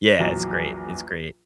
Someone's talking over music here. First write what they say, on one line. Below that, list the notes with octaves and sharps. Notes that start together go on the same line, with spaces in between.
Yeah, it's great. It's great.
A#1 E2 F#3